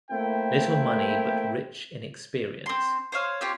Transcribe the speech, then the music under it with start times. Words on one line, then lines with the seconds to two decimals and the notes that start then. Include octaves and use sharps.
Little money, but rich in experience.
0.11 A3 A#3 C4 E4 G5
2.66 C4 C6
3.12 C5 C#5 F5 D#6
3.41 C4 F4 G4 C#5